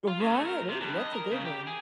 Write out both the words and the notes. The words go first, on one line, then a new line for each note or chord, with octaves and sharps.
Right. Oh, that's a good one.
F4
C#3
A3
A#4
C3
G2
D#5
A#4
C#3
G4
G#4